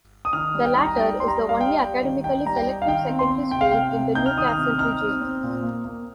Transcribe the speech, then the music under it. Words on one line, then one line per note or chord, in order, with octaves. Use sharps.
The latter is the only academically selective secondary school in the Newcastle region.
D#6
D#3 F6
G3
G5
D#4
A#5
G3 G5
G3 C6
A#5
G3
F5
G3 G5
G3
D#3
D#4 G5
G3 A#5
G5
D#4
F5
D#3 G5
C4
C6
C4
C3 G5
F5
C3 G5
C3
D#4 G6
F6
D#3 D#6
F6
C3
D#4 F6
C4
C4
A#2
A#3
A#3